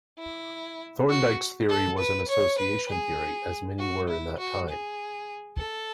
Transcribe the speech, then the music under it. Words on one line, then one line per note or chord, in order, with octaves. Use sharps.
Thorndike's theory was an association theory, as many were in that time.
E4
F#4
A4
B4
C#5
B4
G#4
F#4
E4
F#4
G#4
A4